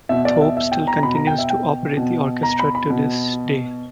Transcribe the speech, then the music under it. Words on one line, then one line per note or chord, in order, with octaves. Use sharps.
Thorpe still continues to operate the orchestra to this day.
B2 E5
D5
E5
E5
G5
A#5
B2 B5
A#5
G5
E5
G5
B2
A#5
B5
B5
B2